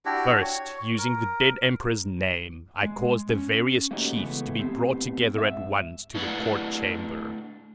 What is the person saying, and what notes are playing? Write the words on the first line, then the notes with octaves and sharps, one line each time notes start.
First, using the dead emperor's name, I caused the various chiefs to be brought together at once to the court chamber.
D4 E4 F#4 G4
C#5
A#4
G#3
C#4
A3 A#3 C#4 D#4 F#4 G4
C#3 E3 G#3 A3 B3
A2 B3 C4 G4
G#2 E5
A3 D4 E4 B4 D5 F#5